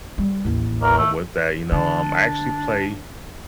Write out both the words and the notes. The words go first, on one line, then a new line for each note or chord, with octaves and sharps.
um, with that, you know, um, I actually play,
G3
A1 D#2
A#4
A3
D3 D4